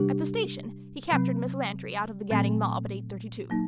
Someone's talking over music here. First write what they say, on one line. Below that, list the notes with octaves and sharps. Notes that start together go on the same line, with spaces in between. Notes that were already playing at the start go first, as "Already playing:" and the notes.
At the station he captured Miss Lantry out of the gadding mob at eight thirty-two.
Already playing: C3 G3 D4 G4
C3 F#3 C4
A#2 F#3 A3 C4
F#3 A#3 D#4